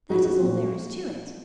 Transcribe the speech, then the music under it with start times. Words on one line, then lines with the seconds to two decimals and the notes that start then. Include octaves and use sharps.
That is all there is to it.
0.10 G#2 F3 F#4
0.25 F#4
0.39 A#2 F3